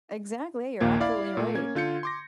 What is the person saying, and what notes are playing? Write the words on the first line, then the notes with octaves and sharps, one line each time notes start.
Exactly, you're absolutely right.
A#1 D#2 A#2 A#3 G#6
E4 D5 F5 B5
A#2 A3
A#3 C#4 G#6
D3 F4 G6 C#7
C6 D6 A#6